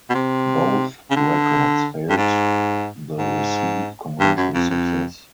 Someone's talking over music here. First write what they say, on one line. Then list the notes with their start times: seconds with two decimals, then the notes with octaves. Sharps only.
Both records failed the receive commercial success.
0.10 B2
0.15 C3
1.11 C#3
1.16 D3
2.10 G2
2.17 G#2
3.18 G#2
4.20 G2
4.37 F#2
4.54 F2
4.70 F2